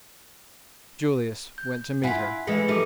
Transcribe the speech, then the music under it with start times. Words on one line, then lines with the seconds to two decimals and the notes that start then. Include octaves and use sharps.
Julius went to meet her.
1.58 G6
2.04 E4 F4 F#5 G#5 B6
2.47 E3 G#3 A3 G#4 B4 E5
2.68 F3 A3 D#4 G4 A4 D6